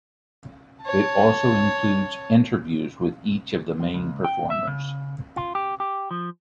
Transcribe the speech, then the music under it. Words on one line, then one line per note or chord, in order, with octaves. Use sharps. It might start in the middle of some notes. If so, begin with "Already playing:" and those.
It also includes interviews with each of the main performers.
C#5 A5
F#2
C#2
G5
E5
C#3
F4
G4
G4
F3